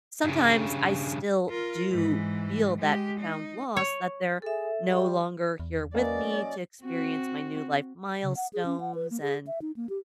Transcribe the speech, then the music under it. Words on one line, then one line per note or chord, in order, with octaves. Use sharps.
sometimes I still do feel that profound loss that they're no longer here with me to experience my new life milestones and
G2 C#3
F4 A#4
G#2 E3
G#3 G4
D#4
C#5
G#4 A4 E5
G3
E2
F#3 A#3 C#4 B4 D5 D#5
C4 F#4
C#3
F#5
G#4
C#4
F#5
B4
A#3
G#4
E5
D#4
A#3
G4